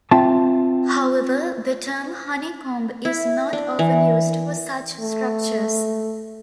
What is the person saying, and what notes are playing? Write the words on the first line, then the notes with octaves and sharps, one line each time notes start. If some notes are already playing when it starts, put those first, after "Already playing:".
However, the term "honeycomb" is not often used for such structures.
C4 F4 E5 G5 A5
E4
D4
E3
A3